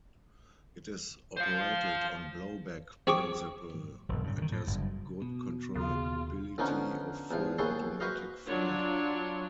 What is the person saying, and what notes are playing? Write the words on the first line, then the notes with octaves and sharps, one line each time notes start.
It is operated on blowback principle and has good controllability of full automatic fire.
C5 F5
C4 G#4 C#6 D6
E1 B1 G#2
G2 C#3
C3 D#3
A2
F#1 G2
B2
D#2 C#3 F4
D3 F3 B3 C#4 D#4
E2 F3
D#2 B3 G#4 A4 C#5 C6
F#4 B4 C5 D#5 F5
F#3 D4 F4 C#5